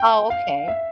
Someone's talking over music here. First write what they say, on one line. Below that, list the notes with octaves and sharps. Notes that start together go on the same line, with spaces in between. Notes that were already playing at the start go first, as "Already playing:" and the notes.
Oh, okay.
Already playing: G5
F5
E5